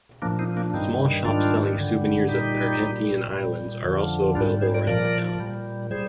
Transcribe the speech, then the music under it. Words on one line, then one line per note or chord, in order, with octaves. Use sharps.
Small shops selling souvenirs of Perhentian Islands are also available around the town.
A#2 F3 A#3 D4
C4 D#4
A#3 D4
D4
G2 D#3 G3 C4 D#4
G#2 D#3 G3 D4 F4
G2 D3 G3
A#2 G3 D#4 G4
A#2 G3
A#2 G3
F2 D3 F3
G#2 G3 D4 F4
G#4 C5
A#4 D5
A#2 F3 A#4 D5
A#2 G3
G3 G#4 C5